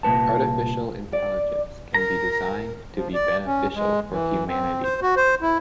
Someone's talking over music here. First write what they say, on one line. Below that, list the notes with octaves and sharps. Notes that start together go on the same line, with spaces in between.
Artificial Intelligence can be designed to be beneficial for humanity.
C2 A#2 G#3 B4 A5
D5
A#4 A#5
F3
D5
C#4
G#3
E3
C4
C5
F#4
C5
E4